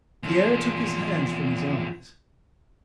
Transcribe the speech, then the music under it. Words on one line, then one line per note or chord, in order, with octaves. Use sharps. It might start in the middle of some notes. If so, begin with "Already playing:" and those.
Pierre took his hands from his eyes.
E2 F3